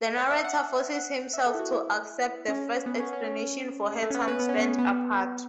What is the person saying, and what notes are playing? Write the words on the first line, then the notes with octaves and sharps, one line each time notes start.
The narrator forces himself to accept the first explanation for her time spent apart.
C#5
E5
F#5
F#5
E5
A4
E4
F#4
E4
C#4
B3
C#4
C#4
A3
C#4
B3
B4
B3
C#4
B3
B3